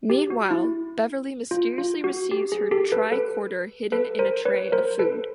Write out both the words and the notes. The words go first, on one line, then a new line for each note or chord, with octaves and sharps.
Meanwhile, Beverly mysteriously receives her tricorder hidden in a tray of food.
G4
F#4
E4
F4
F4
F#4
G4
G#4
G4 A4
A4 B4
A4 B4
A4 B4
A#4 C5
B4 C#5
A#4 C5
A4 B4